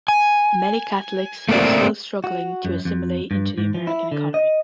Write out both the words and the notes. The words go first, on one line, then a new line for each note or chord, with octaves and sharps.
Many Catholics were still struggling to assimilate into the American economy.
G#5
A3 A#3 C4 A#4 D5
F#4
F#2
F2
G2
G#2
F3
E4
D3
D#5